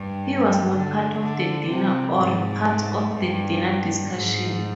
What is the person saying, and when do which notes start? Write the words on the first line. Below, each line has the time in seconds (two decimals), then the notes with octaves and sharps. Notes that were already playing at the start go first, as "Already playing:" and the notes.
He was not part of the dinner or part of the dinner discussion.
Already playing: G2
0.72 D3
1.20 D3
1.69 C3
2.18 G#2
3.15 G2
4.11 G#2